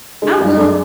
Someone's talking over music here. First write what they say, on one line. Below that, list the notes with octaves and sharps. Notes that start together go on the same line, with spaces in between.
I will
D3 G#3
F#2 G3
A3
F#2 G#3